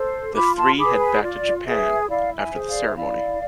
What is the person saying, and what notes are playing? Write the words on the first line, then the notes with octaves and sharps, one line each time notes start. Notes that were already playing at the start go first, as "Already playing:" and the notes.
The three head back to Japan after the ceremony.
Already playing: A4 C5
F4 B5 D6
A5 C6
G#4 B5 D6
B4
G#5 B5
F4 D5
G#4 B4 E5
E4 D5 F5
E5 G#5
G#4 C5
D5 F5
E5
E4 D5 F5